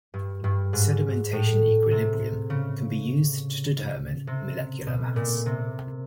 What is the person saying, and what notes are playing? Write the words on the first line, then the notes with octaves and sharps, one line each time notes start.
Sedimentation equilibrium can be used to determine molecular mass.
G2
G2
G#2
A2
C3
C#3
C3
B2
A#2
C3